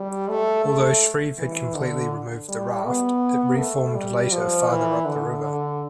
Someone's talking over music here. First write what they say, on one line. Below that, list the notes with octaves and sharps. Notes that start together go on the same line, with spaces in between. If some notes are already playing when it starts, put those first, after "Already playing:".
Although Shreve had completely removed the raft, it reformed later farther up the river.
Already playing: G3
A3
A3
E3
D3
G3
B3
A3
G3
F3
E3
D3
D3